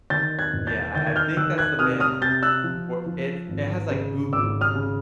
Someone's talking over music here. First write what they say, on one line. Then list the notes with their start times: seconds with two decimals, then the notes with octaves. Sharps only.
Yeah, I I think that's the band name. W it's it has, like, Goo Goo in the name.
0.10 D#3 G6 A6
0.39 F#6 G#6
0.53 E1
0.67 G6 A6
0.95 D#3 G6 A6
1.07 G#6
1.16 F6 G6
1.37 D#3 E6 F#6
1.58 F#6 G#6
1.79 C3 D#6 F6
2.00 D#6 F6
2.21 C3 G6 A6
2.43 E6 F#6
2.64 F3
3.06 F3
3.48 G#1
3.90 C#3
4.33 G#1 D6 E6
4.61 D#6 F6
4.75 C#3